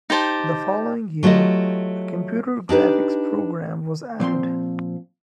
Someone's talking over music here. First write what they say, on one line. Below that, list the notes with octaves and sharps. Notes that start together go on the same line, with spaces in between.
The following year, a Computer Graphics program was added.
D#4 G4 C5 A5
F#3 A3 F4 G4 D#5
D4 D#4 G4 B4
A#2 F3 C4 C6